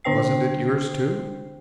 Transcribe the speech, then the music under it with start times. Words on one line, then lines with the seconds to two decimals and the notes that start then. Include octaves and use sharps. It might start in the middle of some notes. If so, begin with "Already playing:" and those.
Wasn't it yours, too?'
0.04 D3 D4 C5 G5 C7